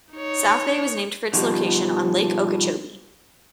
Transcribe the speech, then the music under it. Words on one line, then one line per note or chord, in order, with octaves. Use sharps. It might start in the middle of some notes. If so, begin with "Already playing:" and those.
South Bay was named for its location on Lake Okeechobee.
D#4 C#5
B2 D#3 F3 G3 B3